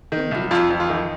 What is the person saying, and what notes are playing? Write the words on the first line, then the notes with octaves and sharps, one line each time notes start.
'Indeed you are.
D#3
C2
F2 F4
F2
F4
D#3